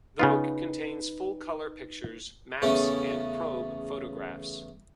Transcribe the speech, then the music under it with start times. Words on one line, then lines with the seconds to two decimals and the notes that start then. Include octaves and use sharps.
The book contains full-colour pictures, maps and probe photographs.
0.19 C#3 B3 D#4 F4 B4
2.62 E2 C#3 A3 C#4